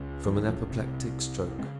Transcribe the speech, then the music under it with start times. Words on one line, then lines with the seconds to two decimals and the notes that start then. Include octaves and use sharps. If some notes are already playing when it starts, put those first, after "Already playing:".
"From an apoplectic stroke."
Already playing: C#2 C#3
0.25 F3
0.36 D#3
0.48 F3
0.70 C2 C3
1.58 G#3 C4
1.63 C#3